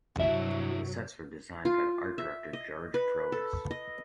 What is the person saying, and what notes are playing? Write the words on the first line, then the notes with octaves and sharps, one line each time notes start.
The sets were designed by the art director George Provis.
G2 C3 F#3 D4 E4 E5
F4
E5
D#5
B4
A4
D#5